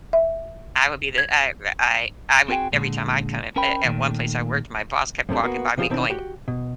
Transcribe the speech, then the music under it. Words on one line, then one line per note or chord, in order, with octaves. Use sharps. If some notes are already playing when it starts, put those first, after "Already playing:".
I would be the I I I would every time I'd come, a at one place I worked, my boss kept walking by me going,
E5
G#6
C4 F#4 G#4 G5
A#2 D3 G#3
C#4 A#4 C5 G5 B5
A#2 D#3 A3
F#2 C3 A3 D4
A#3 B3 F#4
C3 F3 F4 G4 G#4
B2 D#3 C4 D4 E4
F#4 G4 G5
B2